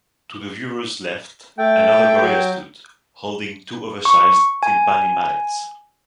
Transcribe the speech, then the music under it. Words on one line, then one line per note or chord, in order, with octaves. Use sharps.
To the viewer's left another gorilla stood, holding two oversized timpani mallets.
A3 G5
F#3
C#6
G#5